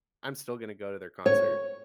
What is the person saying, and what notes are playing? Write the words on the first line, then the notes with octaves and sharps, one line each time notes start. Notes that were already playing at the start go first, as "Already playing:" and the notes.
I'm still gonna go to their concert."
C#5